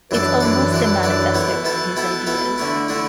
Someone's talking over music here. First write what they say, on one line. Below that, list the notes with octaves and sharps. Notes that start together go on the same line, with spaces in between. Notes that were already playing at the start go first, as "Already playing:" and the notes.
It's almost a manifesto for his ideas.
F#2 E3 D4 A4
F#2 E3 D4 A4
F#2 E3 D4 A4
F#2 E3 D4 A4
B2 B3 E4 A4
B2 B3 E4 A4
B2 B3 E4 A4
B2 B3 E4 A4
D3 A3 E4
D3 A3 E4